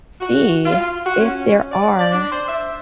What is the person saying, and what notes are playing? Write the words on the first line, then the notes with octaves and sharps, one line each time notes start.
see if there are
F#4
F4
F#4
C#4
D5
D5
D4
C5
E5